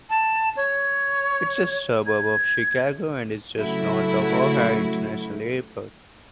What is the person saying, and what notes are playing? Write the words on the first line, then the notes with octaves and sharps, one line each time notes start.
It is a suburb of Chicago and is just north of O'Hare International Airport.
A5
C#5
G#6
C#3 F#3 A3 E4 F#4